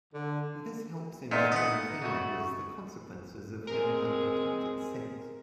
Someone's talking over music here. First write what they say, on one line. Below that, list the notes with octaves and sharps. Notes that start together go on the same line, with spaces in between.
This helps in showing teenagers the consequences of having unprotected sex.
D3
A#2 A3 B3 D#4
D#5 F#5
C#3 A3 F#4
G#3 C4 G#4 A#4